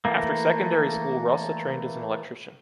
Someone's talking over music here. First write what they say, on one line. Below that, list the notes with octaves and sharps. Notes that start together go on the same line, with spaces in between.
After secondary school Rossa trained as an electrician.
E3 A3 A#3